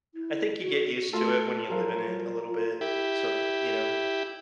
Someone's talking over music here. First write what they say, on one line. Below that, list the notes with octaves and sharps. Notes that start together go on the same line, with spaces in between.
I think you get used to it, when you live in it, a little bit. So, eh, you know?
E4
F#4
A3 F4 A4
F3 F#3 A#4 F5
F4
E4 G4